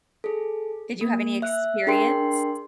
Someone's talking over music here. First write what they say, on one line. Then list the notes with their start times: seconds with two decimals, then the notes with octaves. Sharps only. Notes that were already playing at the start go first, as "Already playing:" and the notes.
Did you have any experience?
0.24 G#4 A4
1.01 A#3
1.42 E5 F#6
1.87 D4 G#4 A#4 G5 C6 C7